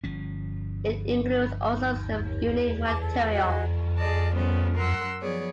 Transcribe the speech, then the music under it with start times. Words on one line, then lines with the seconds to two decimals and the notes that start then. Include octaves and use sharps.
It includes also some unique material.
0.04 G1 F3 C#4
2.86 A5 D6
2.99 A4
3.32 F#4 G#4 D#5
3.98 G#4 D5 D#5 A5
4.35 D#3 G3 B3 C#4 C5
4.76 F#2 A#4 F#5 C6 E6 F#6
5.21 F3 F#3 B3 G#4 C#5 D5